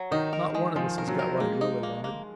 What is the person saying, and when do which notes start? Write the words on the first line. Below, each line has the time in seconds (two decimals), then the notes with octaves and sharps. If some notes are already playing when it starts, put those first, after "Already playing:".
Not one of us has got what he really wanted.
Already playing: F#3
0.11 D#3 D#4
0.33 A#4
0.55 G#3
0.76 F3 G#3
0.98 A#4
1.08 F#3
1.19 A#4
1.40 G#3 A#3
1.61 D#4
1.83 A#3
2.04 A#3